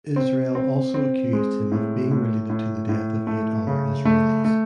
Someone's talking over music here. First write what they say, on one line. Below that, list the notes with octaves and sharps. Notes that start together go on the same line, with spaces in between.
Israel also accused him of being related to the death of eight other Israelis.
C4
C4
C4
G#3
A2
A2
A2
A2
A3
C#3
A3
A3